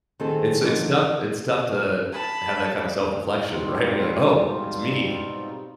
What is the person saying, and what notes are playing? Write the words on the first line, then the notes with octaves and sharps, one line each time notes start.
It's a it's tough it's tough to have that kinda self-reflection, right, when you're like, "Oh, it's me."
D#3 C4 G#4 A4
D3 E3 F3 D#4
A5 B5
G#2 B2 G3 C4 D#4 F4